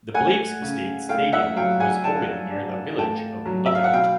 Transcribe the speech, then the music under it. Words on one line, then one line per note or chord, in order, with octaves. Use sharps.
The Blakes Estate Stadium was opened near the village of Look Out.
A3 F#5 G#5
C#3
A3 F5 G5
E5 F#5
F#3 F5 G5
F#5 G#5
D4 G5 A5
D4
A3 G5 A5
F#3
E5
F5
F#5
B2 F5 G5